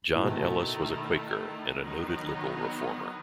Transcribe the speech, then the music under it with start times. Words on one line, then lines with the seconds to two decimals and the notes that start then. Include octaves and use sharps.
John Ellis was a Quaker and a noted liberal reformer.
0.15 A2
0.23 B2 D#3 A3 E4
1.81 D#3 F#3 B3 D#4